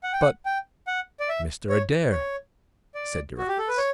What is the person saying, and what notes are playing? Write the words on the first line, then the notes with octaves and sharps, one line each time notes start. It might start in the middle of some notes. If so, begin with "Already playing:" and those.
"But Mr. Adair?" said Durrance.
F#5
G5
F#5
G5
F#5
D5
E5
C#5
C#5
D5
F#4
G4
A4
B4
C#5